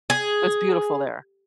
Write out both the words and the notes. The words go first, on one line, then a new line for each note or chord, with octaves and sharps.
It's beautiful there.
G#4